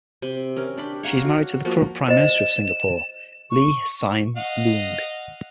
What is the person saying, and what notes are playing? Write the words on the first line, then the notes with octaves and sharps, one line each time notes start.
She is married to the current Prime Minister of Singapore, Lee Hsien Loong.
C3
C#4 A#4
D4 G4 B5
C#5 F5 F#5 A#5
F#4
F3 A#3 F#4
C5 D#5 E7
C#6
D#5 F5 F#5